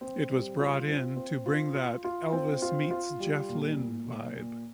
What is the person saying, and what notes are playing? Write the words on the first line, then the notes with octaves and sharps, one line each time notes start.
It was brought in to bring that Elvis meets Jeff Lynn vibe.
C4
G3
F4
C4
C4
F4
F4
F4
C4
F4
F4
G3
A#2
A#2
A#2
A#2